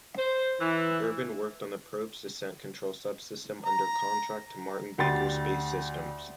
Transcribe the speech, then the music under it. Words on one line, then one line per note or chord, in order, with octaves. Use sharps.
Irvin worked on the probe's descent control sub-system under contract to Martin-Baker Space Systems.
C5
E3
A#5
D2 G4 C6 A6